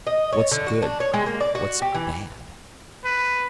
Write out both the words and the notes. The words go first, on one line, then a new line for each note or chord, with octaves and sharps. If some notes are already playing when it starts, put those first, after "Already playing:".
What's good, what's bad?
D#5
C#5
D3
F#4
D4
C#5
G#3
A#3
D5
F#4
G4
E3
B4